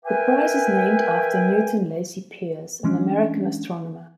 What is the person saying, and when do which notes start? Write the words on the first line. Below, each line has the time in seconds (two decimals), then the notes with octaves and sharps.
The prize is named after Newton Lacy Pierce, an American astronomer.
0.05 A#4 B4 E5 G5 G#5
2.84 E3 G#3 C#4 D4